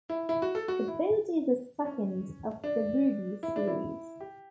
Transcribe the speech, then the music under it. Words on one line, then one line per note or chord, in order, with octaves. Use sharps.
The boat is the second of the "Rubis" series.
E4
E4
F#4
A4
F#4
E4
C#4
D4
E4
D4
E4
G4